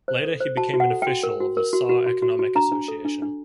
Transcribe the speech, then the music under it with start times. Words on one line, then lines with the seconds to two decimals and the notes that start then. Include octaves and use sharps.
Later he became an official of the Saar Economic Association.
0.08 C5
0.25 A4
0.40 C5
0.57 F#4 A5
0.73 F#4
0.80 F#5
0.91 A4
1.02 F#4 G5
1.23 A#4
1.40 F#4
1.57 A#4
1.73 F#4
1.89 F#4
2.06 F#4
2.22 F#4
2.39 F#4
2.55 D4 A#5
2.72 D4
2.88 A4
3.05 D4
3.22 D4